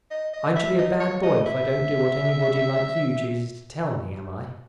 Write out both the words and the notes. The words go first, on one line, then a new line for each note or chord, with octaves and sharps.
"I'm to be a bad boy if I don't do what anybody like you chooses to tell me, am I?"
D#5
D#5
E5
D#5
C#5
D#5
E5